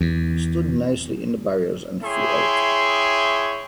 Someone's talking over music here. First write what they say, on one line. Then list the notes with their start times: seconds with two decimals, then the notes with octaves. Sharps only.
He stood nicely in the barriers and flew out.
0.01 E2
2.03 E4 G#4 C#5 E5 G5 C6